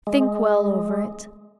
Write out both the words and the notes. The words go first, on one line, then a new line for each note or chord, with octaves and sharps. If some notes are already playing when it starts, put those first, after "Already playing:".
Think well over it.
G#3